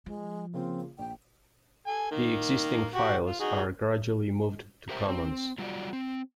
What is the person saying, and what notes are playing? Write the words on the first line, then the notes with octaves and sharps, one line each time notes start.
The existing files are gradually moved to Commons.
F3 G#3
C#3 A#3 C4 F4
A#1 G5
A4 G#5
D#3 A#3
F#4 G4
F4
D#4 F#4 G#4
G4 A#4 C5 E5 G5
C4
F#3 G3 F4 F#4 C#5 D5
C4